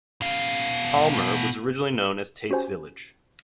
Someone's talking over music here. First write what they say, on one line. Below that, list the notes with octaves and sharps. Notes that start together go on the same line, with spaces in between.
Palmer was originally known as "Tate's Village".
B2 F5
C#4 F#4 G4 C5 G#5